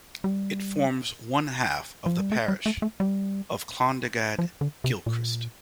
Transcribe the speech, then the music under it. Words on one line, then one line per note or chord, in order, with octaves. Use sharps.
It forms one half of the parish of Clondegad-Kilchrist.
G3
F3
G3
A3
G3
A3
A3
G3
F3
D3
C3
A#2